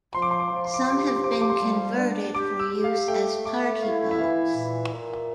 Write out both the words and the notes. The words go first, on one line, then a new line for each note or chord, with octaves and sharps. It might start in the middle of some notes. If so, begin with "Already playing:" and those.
Some have been converted for use as party boats.
F3 C6
D6
C6
D6
C6
F3 D6
C6
D6
C6
G4 D6
C6
D6
C6
F3 D6
C6
D6
C6
G3
D4
G4 D6
E6
G4
F5
A3 G5
A3 D6
E4 F5
E5
E3 F5
A#2
A#2